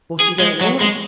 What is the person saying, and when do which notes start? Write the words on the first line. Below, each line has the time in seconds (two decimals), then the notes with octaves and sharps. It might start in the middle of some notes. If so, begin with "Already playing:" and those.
"But you don't want it!"
0.20 G#4
0.40 G#3
0.61 F#3
0.81 G#3